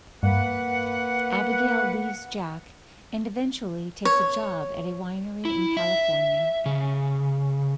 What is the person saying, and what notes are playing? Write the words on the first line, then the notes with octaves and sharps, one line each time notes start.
Abigail leaves Jack and eventually takes a job at a winery in California.
G2 A#3 B4 F#5
C#5
E4
E5
C#3